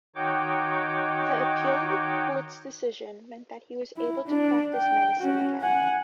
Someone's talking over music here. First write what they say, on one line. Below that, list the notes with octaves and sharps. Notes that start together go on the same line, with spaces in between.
The Appeal Court's decision meant that he was able to practice medicine again.
D#3 D#4 F#4 C#5 G5 D6
E4
D4
G5
C#4 F#4
F#5 G#5